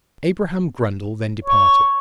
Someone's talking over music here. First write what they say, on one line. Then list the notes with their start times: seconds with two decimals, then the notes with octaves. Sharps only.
Abraham Grundle then departed.
1.45 C#5